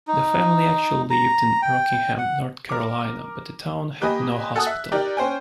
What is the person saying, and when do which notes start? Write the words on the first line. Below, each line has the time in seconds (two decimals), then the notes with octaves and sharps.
The family actually lived in Rockingham, North Carolina but the town had no hospital.
0.08 D#4
1.10 A#5
1.62 G5
2.18 F#5
2.69 A#4 D6
4.01 A#3 G4 B4 D#5 G#5
4.55 F#4 A4 G#5 A5 D#6 F#6
4.67 E5
4.92 D#4 G4 A#4 D5 G5
5.17 C#4 C5 G5 G#5